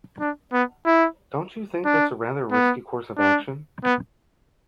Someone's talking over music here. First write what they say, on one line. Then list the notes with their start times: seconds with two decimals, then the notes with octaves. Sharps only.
Don't you think that's a rather risky course of action?
0.20 D4
0.53 B3
0.86 E4
1.85 D4
2.51 B3
3.18 D4
3.84 B3